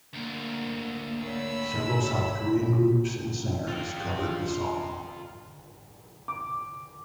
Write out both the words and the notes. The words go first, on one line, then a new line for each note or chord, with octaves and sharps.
Several South Korean groups and singers covered the song.
D2 A#3 A#4
C#5 B5 E6
F4 G5
D6